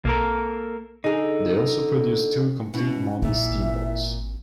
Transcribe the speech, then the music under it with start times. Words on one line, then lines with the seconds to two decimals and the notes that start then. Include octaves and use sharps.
They also produced two complete model steam boats.
0.05 B1 A#3 A4 A#4
1.04 D3 D#4 G#4
2.74 B2 C#4 E4
3.22 B1 A#2 E4 E5
3.50 G#1